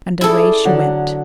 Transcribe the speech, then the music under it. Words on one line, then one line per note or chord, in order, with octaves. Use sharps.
And away she went.
E4 G#4 A4 D5
D3 F#3